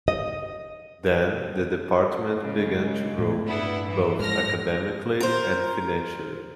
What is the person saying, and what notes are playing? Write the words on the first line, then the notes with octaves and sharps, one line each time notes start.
Then, the Department began to grow, both academically and financially.
D#5
C#3 G#3
A2
G2 B3 D4 E4
E3
G#2 F3 F6 A#6
A#4 C5